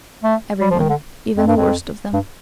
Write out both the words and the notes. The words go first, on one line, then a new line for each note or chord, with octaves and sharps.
Every one--even the worst of them.
A3
G3
F3
D#3
D3
F2
G2
F2
G2